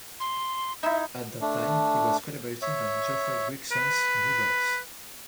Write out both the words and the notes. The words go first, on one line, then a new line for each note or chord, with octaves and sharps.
At that time he was collaborating on Geoffrey Grigson's "New Verse".
C6
D#4 E4 E5
A3 D4
C#5 E5
B4